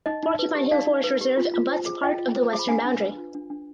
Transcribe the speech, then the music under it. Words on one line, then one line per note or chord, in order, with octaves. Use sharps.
Porcupine Hill Forest Reserve abuts part of the western boundary.
D#4 D#5
D#4
B4
G4
D#4 D5 F5
D#4
B4
G4
F4
F4
C5
G#4
F4 D#5 G5
F4
C5
G#4
B5
D4 F5 G#5
D4
B4
F4
D4
D4